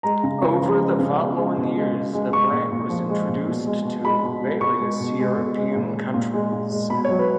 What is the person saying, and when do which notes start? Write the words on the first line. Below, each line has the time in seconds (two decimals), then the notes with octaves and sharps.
Over the following years, the brand was introduced to various European countries.
0.03 G#3 A#5
0.23 C#3
0.41 C#3
0.61 F3
0.80 G#3
0.99 C#3
1.18 B2
1.37 G#3
1.57 B2
1.76 G#3
1.95 B2
2.13 G#3
2.32 G#3 C#6
2.51 A#2
2.71 A#2
2.89 F3
3.09 G#3
3.28 A#2
3.47 B2
3.66 G#3
3.85 B2
4.04 G#3 B5
4.23 B2
4.42 G#3
4.61 B2 C#6
4.80 G#3
5.00 B2
5.19 G#3
5.37 B2
5.56 G#3
5.75 A#2
5.95 G#3
6.14 A#2
6.33 G#3
6.52 A#2
6.71 G#3
6.90 B2 B5
7.05 C#5
7.08 F#3
7.19 B4